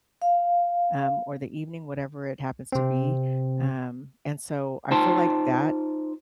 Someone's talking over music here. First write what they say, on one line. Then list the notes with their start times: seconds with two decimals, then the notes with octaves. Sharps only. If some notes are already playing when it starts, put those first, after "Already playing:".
um, or the evening, whatever it happens to be. Um, and so, I feel like that
0.22 F5
2.72 C3 C4
4.91 D#4 F4 C5 G5 A5 C6